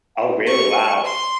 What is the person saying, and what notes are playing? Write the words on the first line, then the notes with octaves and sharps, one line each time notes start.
Oh really? Wow.
C#6
C6